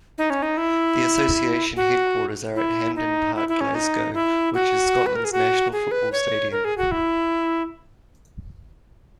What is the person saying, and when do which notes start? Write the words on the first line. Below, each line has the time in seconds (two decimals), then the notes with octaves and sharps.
The association headquarters are at Hampden Park, Glasgow, which is Scotland's national football stadium.
0.18 D#4
0.30 C#4
0.42 D#4
0.57 E4
1.76 F#4
2.56 E4
2.96 D#4
3.35 E4
3.49 E4
3.61 C#4
3.75 D#4
4.14 E4
4.54 F#4
5.06 B4
5.15 A#4
5.24 G#4
5.32 F#4
5.72 G#4
5.91 B4
6.12 C#5
6.52 A#4
6.65 G#4
6.78 F#4
6.91 E4